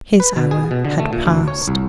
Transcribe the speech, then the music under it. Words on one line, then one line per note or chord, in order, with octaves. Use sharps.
His hour had passed.
B4
B2
G#4
B2
D3
A3
A#2
D2
C#5
C2